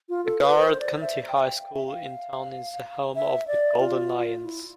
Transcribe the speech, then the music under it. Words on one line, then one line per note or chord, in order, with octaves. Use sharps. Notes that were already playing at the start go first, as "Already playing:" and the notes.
The Garrard County High School in town is the home of the "Golden Lions".
F4
A4
B4
C5
D5
E5
G5
F5
G5
E5
F5
E5
D5
F4
E4